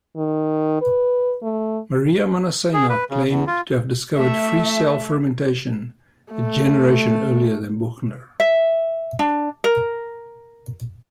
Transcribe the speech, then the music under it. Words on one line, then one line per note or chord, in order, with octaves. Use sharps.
Maria Manasseina claimed to have discovered free-cell fermentation a generation earlier than Buchner.
D#3
B4
A3
G#4
B4
C#3
E2
F4
A3 E5
A3
E5
D4
A#4